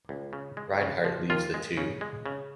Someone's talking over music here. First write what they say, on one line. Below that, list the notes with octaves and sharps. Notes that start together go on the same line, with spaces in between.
Reinhardt leaves the two.
C#2
C#3
G#3
C#3
F3
D#2 F4
G#3
C#3
G#3
C#3